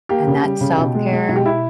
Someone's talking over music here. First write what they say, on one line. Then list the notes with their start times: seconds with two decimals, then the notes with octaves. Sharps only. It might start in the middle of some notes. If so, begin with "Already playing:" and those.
and that's self-care,
0.09 A#3 G4
0.27 C#3
0.44 G3
0.61 C#3
0.78 B2
0.95 G#3
1.12 G#3
1.29 B2
1.36 G4
1.45 B2 E4